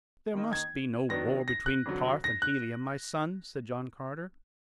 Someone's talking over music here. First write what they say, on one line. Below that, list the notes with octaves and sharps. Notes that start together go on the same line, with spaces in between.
"There must be no war between Ptarth and Helium, my son," said John Carter.
D#3 A#3 D#4
G#6
D#3 F#3 B3 D4 A#6
A#6
F#6
F2 D3 F#3
A#6
F#6